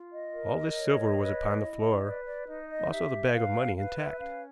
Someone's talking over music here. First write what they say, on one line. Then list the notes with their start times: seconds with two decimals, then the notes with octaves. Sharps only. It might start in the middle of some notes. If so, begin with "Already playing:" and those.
All this silver was upon the floor, also the bag of money intact.
Already playing: F4
0.11 D#5
0.33 A#4
0.76 C#5
1.18 B4
1.61 E4
2.04 B4 D5
2.25 D5
2.47 D#4 D#5
2.69 D#5
2.90 G4 E5
3.29 F#5
3.32 B4 F5
3.76 B4 F5
3.97 E5
4.19 C#4 F5